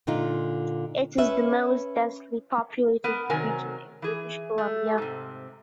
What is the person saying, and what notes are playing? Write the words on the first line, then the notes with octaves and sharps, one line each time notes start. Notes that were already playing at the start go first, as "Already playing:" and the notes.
It is the most densely populated region in British Columbia.
A#2 D3 D#4 F4
C#4 B4 E5
B3 A#4
C3 D#3 F#3 A#4 G#5
E3 G#4
A3
G#2 C3